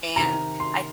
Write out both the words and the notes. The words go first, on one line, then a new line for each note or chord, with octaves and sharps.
And I
C3 D#3 A#5
C6